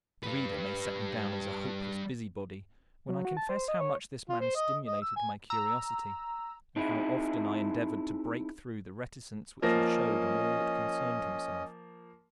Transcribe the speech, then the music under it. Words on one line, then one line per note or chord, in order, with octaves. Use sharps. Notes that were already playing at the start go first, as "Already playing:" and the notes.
The reader may set me down as a hopeless busybody, when I confess how much this man stimulated my curiosity, and how often I endeavoured to break through the reticence which he showed on all that concerned himself.
G3 B4
F#3
F#4
A5
C5
D#5
C#5
F4
C5
D#5
D#5
E6
G#5
A#5 E6
C4 D#4 E4 G#4
F3 A#3 C#4 D#5 A#6